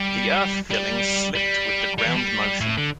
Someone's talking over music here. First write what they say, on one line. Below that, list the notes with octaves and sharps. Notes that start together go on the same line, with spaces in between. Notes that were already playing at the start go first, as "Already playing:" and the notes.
The earth filling slipped with the ground motion.
Already playing: G3
G3
G3
G3
E3
G3
A2
D3